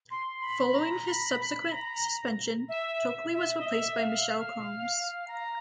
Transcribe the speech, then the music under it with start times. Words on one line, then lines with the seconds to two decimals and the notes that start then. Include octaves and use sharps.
Following his subsequent suspension, Tokley was replaced by Michael Coombs.
0.10 C6
0.42 B5
0.74 A#5
1.07 B5
1.39 B5
1.72 A#5
2.68 E5
3.34 E5
3.59 D#5
3.66 E5
3.98 F5
5.28 A#5